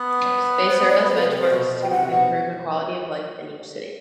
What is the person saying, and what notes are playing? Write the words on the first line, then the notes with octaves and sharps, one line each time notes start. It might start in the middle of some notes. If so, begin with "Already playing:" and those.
They serve as benchmarks to improve the quality of life in each city.
Already playing: B3
C5
D5
B3 C5
A4
C3 B4
A4
C3 B4 C5
B2
B2
G5
C3 F#5
B2